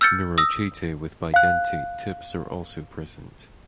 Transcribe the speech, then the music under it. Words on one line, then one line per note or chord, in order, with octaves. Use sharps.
Neurochaetae with bidentate tips are also present.
E6 F6 G6 A6 C#7
D#6 E6 A#6
F5 F#6